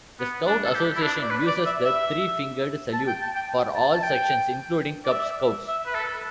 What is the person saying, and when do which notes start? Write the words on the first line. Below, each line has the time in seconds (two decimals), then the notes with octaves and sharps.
The Scout Association uses the three-fingered salute for all sections, including Cub Scouts.
0.20 B3
0.47 D4
0.66 A4
0.75 G4
0.96 E4
1.03 D4
1.22 D5
1.30 B4
1.47 D5
1.66 E5
1.85 E5
2.93 A5
3.08 G5
3.21 A5
3.35 G5
3.75 A5
3.94 A5
4.03 G5
5.05 D5
5.13 E5
5.68 E5
5.86 B4
5.95 A4